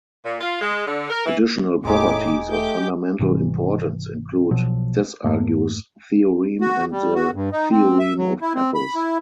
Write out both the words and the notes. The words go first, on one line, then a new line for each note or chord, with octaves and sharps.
Additional properties of fundamental importance include Desargues' Theorem and the Theorem of Pappus.
A#2
F4
G#3
D3
A#4
E3
E1 E2 A2 G#3 D#4 G4 G#4 D6
A3 G4 D6 G6
G#1 C3 E3 G3
B1 B2 F3 F#3
F2 G#2 A3 A#3
F#4
G3
F#4
G2
D#4
C4
E5
F#3
E4
C4
B5
E4